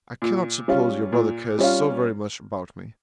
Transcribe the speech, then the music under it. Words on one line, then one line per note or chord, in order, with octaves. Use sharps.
I cannot suppose your brother cares so very much about me.
A#2
G3 C#4 F4
A#2
G3 C#4 F4